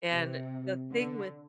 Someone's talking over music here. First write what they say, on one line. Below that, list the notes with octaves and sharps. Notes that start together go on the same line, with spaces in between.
and the thing with
C3
D3